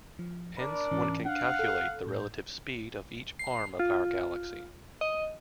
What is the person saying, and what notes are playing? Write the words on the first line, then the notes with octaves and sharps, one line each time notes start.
Hence, one can calculate the relative speed of each arm of our galaxy.
F3
D4 A#4 D5 B5
G#2 E3 C#4
D4 F5 F#5
A4
A2 G6
C7
F4
D#5